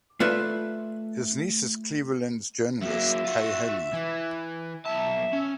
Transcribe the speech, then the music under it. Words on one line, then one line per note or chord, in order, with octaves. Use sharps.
His niece is Cleveland journalist Kay Halle.
A3 F4 B4 D5 E5
F#3 A#3 E5
F4 F#4
E3
B1 E5 A5
C#4